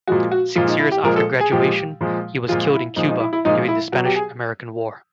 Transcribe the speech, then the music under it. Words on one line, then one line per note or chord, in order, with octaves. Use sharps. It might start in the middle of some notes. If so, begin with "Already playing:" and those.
Six years after graduation, he was killed in Cuba during the Spanish-American War.
A#2 F3 G#3 F#4
F#4
A#2 F3 G#3 F4
D#4
E4
G4
A#2 F3 G#3 A#4
A4
G#4
A#2 F3 G#3 G4
A#2 F3 G#3
A#2 F3 G#3 F4
E4
A#2 F3 G#3 D#4
D#4
E4
E4
A#2 F3 G#3 D#4
E4
B2 F#3 F#4
G4
G#4